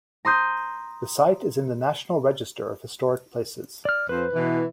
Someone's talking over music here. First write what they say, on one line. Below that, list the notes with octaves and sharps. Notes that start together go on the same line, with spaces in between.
The site is in the National Register of Historic Places.
A#5 C6 D#6 G6
D5 F6
F2 B4 C5
B2 E3